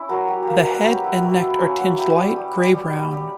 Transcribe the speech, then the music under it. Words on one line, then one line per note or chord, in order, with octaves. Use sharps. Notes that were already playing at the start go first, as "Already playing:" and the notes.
The head and neck are tinged light grey-brown.
Already playing: C#4 E4
F#3 A#4
F#3 G4
A#3 G4
A#4
A#3 B4
F#3 G4
E4
F#3
E4
C#4
F#3
E4 G4
G3
G3
G3
G3
G3
G3 G4